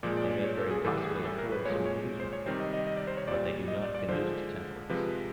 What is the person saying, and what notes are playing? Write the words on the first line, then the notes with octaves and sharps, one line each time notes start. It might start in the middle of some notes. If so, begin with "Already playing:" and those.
They may very possibly afford some amusement, but they do not conduce to temperance.
A#2 F3 G#3 D5
D5
D5
C#5
A4
G#4
A2 E3 G3 A4
G#4
A4
A#4
B4
A#2 F3 G#3 C#5
C#5
C5
C#5
C3 D#3 G3 C5
D#5
D#5
D#5
D5
C5
C#5
A#2 G3 D5
D#5
D5
D5
D3 F3 G#3 C5
C3 F3 G#3 B4